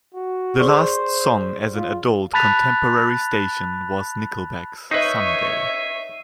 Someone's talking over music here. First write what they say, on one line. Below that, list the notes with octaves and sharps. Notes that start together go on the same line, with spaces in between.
The last song as an adult contemporary station was Nickelback's "Someday".
F#4
G#4 C5 D5 C#6
F4
A5 B5 F#6 A6 B6 F7
D#4 B4 C#5 D#5 E5 C#6 C7 D#7